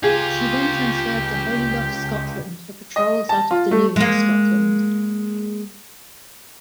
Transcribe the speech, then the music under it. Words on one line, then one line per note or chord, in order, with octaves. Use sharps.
She then transferred to Holy Loch, Scotland, for patrols out of Dunoon, Scotland.
C#2 F4 G4 G#4
D#5
A5
F4
A3
G#3 A#3